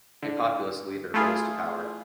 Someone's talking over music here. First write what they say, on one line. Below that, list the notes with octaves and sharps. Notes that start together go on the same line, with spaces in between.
A populist leader rose to power.
D3
A3 E4 F4 G#4